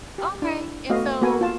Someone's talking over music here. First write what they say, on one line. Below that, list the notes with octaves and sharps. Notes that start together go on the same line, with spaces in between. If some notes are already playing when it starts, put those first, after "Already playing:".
Okay, and so,
G4
D4 E4
A3 B3 F#4 D#5 F5
A#3 B3 F#4 A4 A#4 G#5
F4 A5